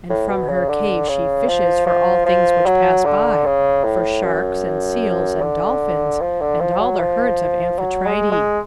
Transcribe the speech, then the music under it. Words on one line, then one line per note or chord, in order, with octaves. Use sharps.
And from her cave she fishes for all things which pass by, for sharks, and seals, and dolphins, and all the herds of Amphitrite.
A2
B2
C#3
D3
C#3
F3
F3
F3
F#3
D3
C#3
A2
F#2
D3
F3
D3
F3
F#3
F3
F#3
G#3
G#3